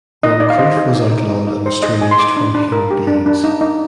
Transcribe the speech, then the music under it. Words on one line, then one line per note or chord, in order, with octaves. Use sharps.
Moncreiff was outlawed and estranged from human beings.
D#4 D#5
D#4 D5
F5
C5 D#5
G#4
D#4
D#4
D#4
D#4
C5
G#4 D#5
D#4 G#5
C6
D#4 D6
D4
D4
A#4
G4
D4
D4
D#4
D#4